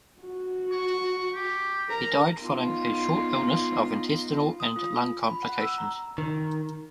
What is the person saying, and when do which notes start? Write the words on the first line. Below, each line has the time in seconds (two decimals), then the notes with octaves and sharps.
He died following a short illness of intestinal and lung complications.
0.22 F#4
0.72 C#6
1.35 G4
1.89 A#4 A#5
2.42 B3 D#4 F4
4.60 D#6
4.76 F4
5.28 B5
5.43 F#5
5.61 E6
5.78 A#5
6.18 D#3